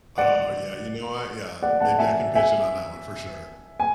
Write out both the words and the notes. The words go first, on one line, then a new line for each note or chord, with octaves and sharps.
Oh, yeah, you know what? Yeah. Maybe I can pitch in on that one for sure.
D5 F#5
D5 F#5
F#5 A5
E5 G#5
E5 G#5
G#5